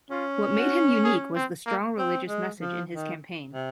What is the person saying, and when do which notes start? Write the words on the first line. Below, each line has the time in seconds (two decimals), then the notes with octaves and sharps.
What made him unique was the strong religious message in his campaign.
0.10 C#4 F4
0.58 F#4
1.04 G#4
1.36 C4
1.66 A#3
1.98 C4
2.29 G#3
2.61 F3
2.91 D#3
3.53 C3